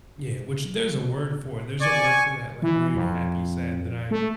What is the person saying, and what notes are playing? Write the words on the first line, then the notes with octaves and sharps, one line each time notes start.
Yeah, which there's a word for there's a word for that, like, weird, happy, sad that I,
D5 G#5 C#6
E3
F2
A3